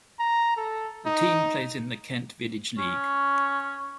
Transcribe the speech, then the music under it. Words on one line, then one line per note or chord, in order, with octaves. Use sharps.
The team plays in the Kent Village League.
A#5
A4
D#4
C#4